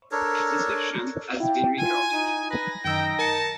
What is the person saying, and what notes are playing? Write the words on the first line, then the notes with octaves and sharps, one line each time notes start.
This version has been recorded.
D4 A4 A#4 C#5
E4 G5
F4 G#5 D#7
D#4
B4 A#6
F#2 D#3 D#4 G5 E6
A#4 A5 C#7